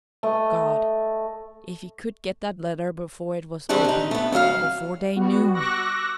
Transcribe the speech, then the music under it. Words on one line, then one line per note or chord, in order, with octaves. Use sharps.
God, if he could get that letter before it was opened--before they KNEW!
A3 D#5
C#3 G3 C4 D4 B4
D3 D#4
A3 B3
D2 F#3 E5 F5
G3 B3 F#4
C#6 D6 E6 F#6 A#6